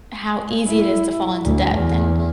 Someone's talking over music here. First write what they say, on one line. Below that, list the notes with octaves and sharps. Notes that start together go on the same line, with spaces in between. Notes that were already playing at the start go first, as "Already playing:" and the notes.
how easy it is to fall into debt, and
E4
D2
E2